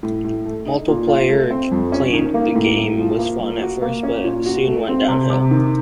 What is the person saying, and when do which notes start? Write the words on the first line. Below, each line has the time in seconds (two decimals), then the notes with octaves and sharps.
Multiplayer claimed the game was fun at first, but soon went downhill.
0.03 A2
0.24 A2
0.45 A3
0.66 D#4
0.88 A#2
1.08 F4
1.29 A3
1.50 C4
1.72 F2
1.92 C#4
2.13 D#3
2.34 A#3
2.55 A2
2.77 A2
2.98 F3
3.19 A#3
3.40 F3
3.62 F#4
3.82 A#3
4.03 C#4
4.24 A#2
4.46 F#4
4.67 A3
4.88 C4
5.08 C3
5.30 C3
5.51 D#3